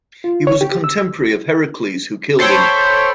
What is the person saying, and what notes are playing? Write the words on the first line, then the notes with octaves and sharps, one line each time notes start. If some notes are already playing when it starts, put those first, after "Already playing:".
He was a contemporary of Heracles, who killed him.
F4
C#5
G4
E6
A4 C5 C#5 G5 B5